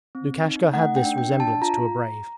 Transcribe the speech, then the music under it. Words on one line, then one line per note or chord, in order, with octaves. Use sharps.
Lukashka had this resemblance to a brave.
C4
D#4
A3 F#5
G5
D4
G5
D4
A5
F4 A#5